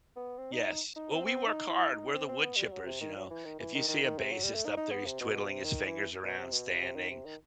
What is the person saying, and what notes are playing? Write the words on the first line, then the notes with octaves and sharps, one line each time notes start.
Yes. Well, we work hard. We're the woodchippers, you know. If you see a bassist up there, he's twiddling his fingers around, standing,
B3
C4
D#4
D#4
D#4
C4
C4
D#4
E4
D#4
C4
C4
B3
G3
F#3
C3
D#3
F#3
E3
D#3
E3
D#3
D#3
D#3
C3
F#3
G3
A3
D#4
D#4
B3
C3
B2
B2
C3
D#3
E3
B2
C3
B2
C3
C3
D#3
C3
D#3